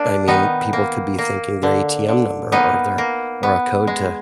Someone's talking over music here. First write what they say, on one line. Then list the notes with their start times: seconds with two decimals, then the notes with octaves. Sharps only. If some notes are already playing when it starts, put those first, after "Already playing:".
I mean, people could be thinking their ATM number or their or a code to
Already playing: A#3 D4
0.28 D#3 B3 D#4
0.73 A#3
1.18 A#3
1.63 D3
2.08 D3
2.52 A#3 B3 D#4
2.98 A#3
3.43 B3
3.87 G#3